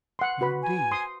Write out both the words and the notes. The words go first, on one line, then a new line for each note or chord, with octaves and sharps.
No, indeed!
F#5 C6
F#4 B4 B5
G#5
C6 D#6